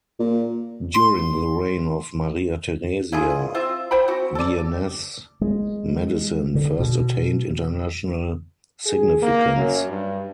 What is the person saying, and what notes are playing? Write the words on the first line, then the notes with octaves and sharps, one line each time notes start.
During the reign of Maria Theresia, Viennese medicine first attained international significance.
A#2
C6
E4 F4 G#4
C4 F4 E5
C5 G5 B5
C4 F#4
A4 D5
G#3
D3
B2
G#4
A#3
F#2
G2